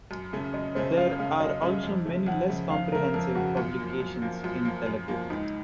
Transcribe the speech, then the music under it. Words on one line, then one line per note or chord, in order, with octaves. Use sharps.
There are also many less comprehensive publications in Telugu.
F#2
C#3 A3 C#4
F#2 D#5
C#3 A3 C#4 C5
F#2 F5
C#3 A3 C#4 F5
F#2 D#5
C#3 A3 C#4
F2
C#3 A3
F2 F#5
C#3 A3
F2 F5
C#3 A3 A#4
F2 A4
C#3 A3 F#4
F#2 F4
F3 A#3
F#2
F3 A#3
F#2 F4
F3 A#3
F#2
F3 A#3
C#2 D#4